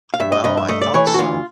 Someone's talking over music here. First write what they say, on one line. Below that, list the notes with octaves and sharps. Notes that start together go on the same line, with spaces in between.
Well, I thought so.
F5
G2 E5
D#5
G2 D#5
E5
A3 D#5
D5
E3 C#5
A4
F#4
D2 F4